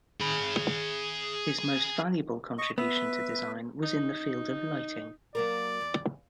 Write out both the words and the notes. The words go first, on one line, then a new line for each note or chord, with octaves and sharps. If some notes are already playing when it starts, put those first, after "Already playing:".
His most valuable contribution to design was in the field of lighting.
G#4 B5
D#5 C#6
B3 B4 E5
D#4
F#3 A#3 A#4 D5
E2